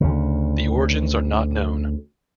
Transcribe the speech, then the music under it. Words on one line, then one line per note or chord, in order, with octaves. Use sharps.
The origins are not known.
D2 C#3